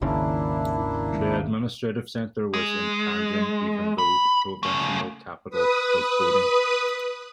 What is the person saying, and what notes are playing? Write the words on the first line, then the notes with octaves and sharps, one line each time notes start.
The administrative centre was in Tianjin even though the provincial capital was in Baoding.
G#1 D#2 C#3 A#3 D4 E4
G#3
B5
C#3 A3
B4 D#6